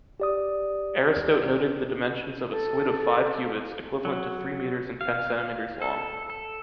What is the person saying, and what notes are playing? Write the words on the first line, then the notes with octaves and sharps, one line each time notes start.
Aristote noted the dimensions of a squid of five cubits, equivalent to three meters and ten centimeters long.
G4 D5 D#6
A4
F#3
F5
A4
A4